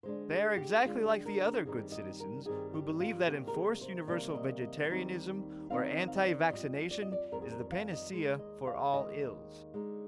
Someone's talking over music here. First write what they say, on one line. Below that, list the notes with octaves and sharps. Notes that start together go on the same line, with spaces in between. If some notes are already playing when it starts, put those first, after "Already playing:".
They are exactly like the other good citizens who believe that enforced universal vegetarianism or anti-vaccination is the panacea for all ills.
D3 G#3 D4 C5
G#4
G4
D3 G#3 D4 F4
G4
A#4
A#4
G2 D#3 G3 C4 D#4 G#4
D#5
A#4
G2 D#3 G3 C4 D#4 G#4
G4
F4
C3 D#3 G3 A#3 G4
A#4
G#4
C5
C3 D#3 G3 A#3 D5
D#5
D#5
D#2 D#3 G3 C4 D#4
D#2 D#3 G3 C4 D#4 F5
D#5
F5
D#5
D5
F2 D#3 G3 D#5
D5
D#5
D5
F2 D#3 G3 A#4
G#4
A#4
F5
D#5
D#2 D#3 G#3
D#5
F5
D#2 D#3 G#3 D#5
D3 G#3 D#4